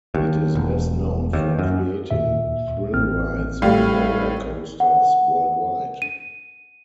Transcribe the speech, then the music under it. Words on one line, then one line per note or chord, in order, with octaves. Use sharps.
It is best known for creating thrill rides and roller coasters worldwide.
D#2
E1
D#2
F#2
D#2 A#2 E5
A1 C4 F6
A2 G3 F5
F#5
D#7